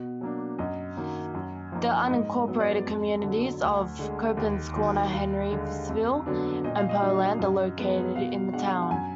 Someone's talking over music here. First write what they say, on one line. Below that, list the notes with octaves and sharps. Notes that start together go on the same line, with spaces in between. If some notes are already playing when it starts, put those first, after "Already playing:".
The unincorporated communities of Coppens Corner, Henrysville, and Poland are located in the town.
Already playing: B2
F#3 A#3 D4
F#2 D#5
D#3 F#3 A#3
F#2
F3 A#3 D#4
G#2 D#5
F#3 B3
D5
F2
D3 F#3
D2
D3 G#3
D#2
D#3 F#3
D#2 F5
D3 G#3
F2
D3 F#3 B3 D4
A#2 D#5
F5
D#5
F#3 D4
F#2
F3 G#3 B3
B2 F5
G#3 D4 F#5
F#5
F#2 G#5